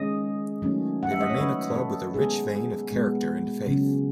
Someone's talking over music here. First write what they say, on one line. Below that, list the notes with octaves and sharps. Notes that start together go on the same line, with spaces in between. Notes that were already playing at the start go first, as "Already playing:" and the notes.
They remain a club with a rich vein of character and faith.
Already playing: D#3 G#3 C#4 D#5
D#3 F#3 A3 C#4
F#5
E5
D#5
C#5
D#3 F#3 A3 C#4 B4
B4
A4
B2 G#3 B3 G#4
B2 G#3 B3
C#3 F#3 C#4